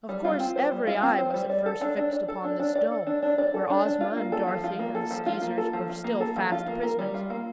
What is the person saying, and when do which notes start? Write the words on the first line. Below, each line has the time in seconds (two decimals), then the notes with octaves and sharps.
Of course every eye was at first fixed upon this dome, where Ozma and Dorothy and the Skeezers were still fast prisoners.
0.09 G3
0.24 F4
0.40 C4
0.56 C5
0.72 G3
0.87 F4
1.03 C4
1.18 C5
1.34 G3
1.49 D5
1.66 A4
1.81 D4
1.97 D4
2.13 D5
2.28 A4
2.44 D4
2.59 D4
2.75 D5
2.91 A4
3.07 D4
3.23 D4
3.38 D5
3.54 A4
3.70 D4
3.85 D4
4.01 F4
4.17 A#3
4.32 A4
4.48 F3
4.64 F4
4.79 A#3
4.95 A4
5.11 F3
5.26 F4
5.42 A#3
5.58 A4
5.73 F3
5.89 F4
6.04 A#3
6.20 A4
6.36 F3
6.52 F4
6.68 A#3
6.83 A#4
6.99 G3
7.14 F4
7.30 A#3